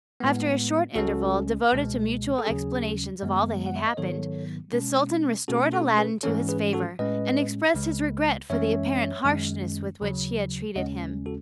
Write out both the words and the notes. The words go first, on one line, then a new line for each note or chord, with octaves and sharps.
After a short interval, devoted to mutual explanations of all that had happened, the sultan restored Aladdin to his favour, and expressed his regret for the apparent harshness with which he had treated him.
A2 G#3 B3
C#2 C#3 G#3 C#4 F#4 A4
C#2 B2 G#3
A4
D#2 C#3 F#3 C#4 G#4
F#2 D#3 G#3 B3
F#5
E5
D#5
G#2 D#3 F#3 B3 A4 C#5
B2 G#3 C#4
B2 A3 C#4 F#4 A4
F#4 A4
G#4 B4
G#2 E3 G#3 C#4 A4 C#5
G#4 B4
F#4 A4
A2 G#3 C#4 B4 D#5
C#2 C#3 G#3
F#2 E3 G#3 C#4 C#5 E5
F#2 D#3 G#3 C#4
D#2 C#3 F#3
D#2 C#3 G#3 C#4 D#5 F#5
F#4 A4